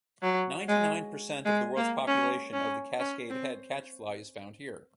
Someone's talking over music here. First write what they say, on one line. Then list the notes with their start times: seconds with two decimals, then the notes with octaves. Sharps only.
Ninety-nine percent of the world's population of the Cascade Head catchfly is found here.
0.23 F#3
0.69 G#3
1.45 G#3
1.77 A#3
2.07 C#4
2.53 C#4
2.99 C#4
3.30 C4